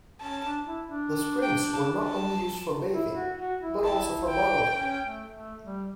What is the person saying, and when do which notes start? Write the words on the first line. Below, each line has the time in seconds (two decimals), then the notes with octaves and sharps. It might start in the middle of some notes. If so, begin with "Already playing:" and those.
The springs were not only used for bathing, but, also for bottling.
0.21 C#4 A5
0.44 D4
0.67 E4
0.89 D4
1.42 G5
1.73 A5
2.03 A5
2.94 E4
3.16 F#4
3.39 F#4
3.62 E4
3.84 E4 A5
4.29 G5
4.74 C#4
5.04 A3
5.35 A3
5.65 G3